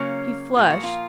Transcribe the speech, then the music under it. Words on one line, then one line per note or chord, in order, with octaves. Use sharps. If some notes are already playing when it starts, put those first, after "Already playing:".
He flushed.
Already playing: C#3 F#3 A#3 C#4
A#2 F3 A#3 F4
F#4
F4